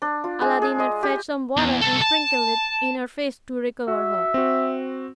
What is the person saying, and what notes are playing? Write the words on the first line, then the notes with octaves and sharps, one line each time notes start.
Aladdin had fetched some water, and sprinkled it in her face to recover her.
D4
F4
G#3
G#4
D#5
G4
E2
C2 A4
A5
F#4 E5
C4 F#4